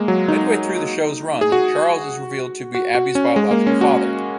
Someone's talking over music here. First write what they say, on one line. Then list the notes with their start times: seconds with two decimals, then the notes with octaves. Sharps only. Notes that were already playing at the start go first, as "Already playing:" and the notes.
Midway through the show's run, Charles is revealed to be Abby's biological father.
Already playing: G#3 A#3
0.08 F#3
0.28 D#4
1.41 G#4
1.52 F#4
2.74 F#4
2.95 F#4
3.15 C#4
3.36 G#3
3.51 A#3
3.67 C#4
3.81 F#4